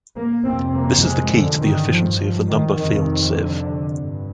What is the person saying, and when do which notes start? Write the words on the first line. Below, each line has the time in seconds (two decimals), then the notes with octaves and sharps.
This is the key to the efficiency of the number field sieve.
0.15 A#3
0.44 F2 C3 C4
0.73 A#3
1.03 G#3
1.32 D3
1.60 G2 D#3
1.90 F3
2.48 D#3
2.78 F2 C3 D#3
3.36 D3
3.94 G2